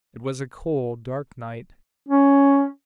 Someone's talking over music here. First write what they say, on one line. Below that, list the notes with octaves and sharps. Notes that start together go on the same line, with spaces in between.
It was a cold, dark night.
C#4